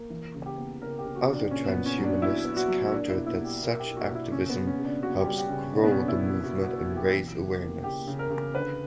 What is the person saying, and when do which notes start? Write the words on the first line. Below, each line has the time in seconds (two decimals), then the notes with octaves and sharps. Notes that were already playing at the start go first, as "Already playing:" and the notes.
Other transhumanists countered that such activism helps grow the movement and raise awareness.
Already playing: A#3
0.10 E3
0.34 C#3
0.46 G4
0.58 B3
0.81 C#3 A#4
0.99 G4
1.05 C#3
1.16 F#4
1.28 C#3
1.33 D4
1.51 A#2 C#4
1.69 B3
1.75 A#2
1.86 C#4
1.98 F#3
2.04 D4
2.22 F#3 E4
2.45 B3
2.57 F#4
2.68 F#3
2.92 A#3 D4
3.09 E4
3.15 B2
3.26 E4
3.39 B2
3.45 G4
3.62 B2 A#4
3.79 G4
3.86 A#3
3.97 F#4
4.09 B2
4.15 E4
4.32 C#3 C#4
4.50 B3
4.56 C#3
4.67 C#4
4.79 C#3
4.85 D4
5.03 C#3 F#4
5.21 G4
5.26 G3
5.38 G4
5.49 C#3
5.73 B2 D4
5.84 B3
5.92 C#4
5.96 B2 D4
6.08 E4
6.20 A#3
6.43 B2 F#4
6.61 F#4
6.67 A#3
6.78 F#4
6.91 B2
6.97 G4
7.13 E3
7.37 C#3
7.60 A#3
7.84 C#3 G4
8.07 C#3
8.19 A#4
8.30 C#3
8.54 D3 B4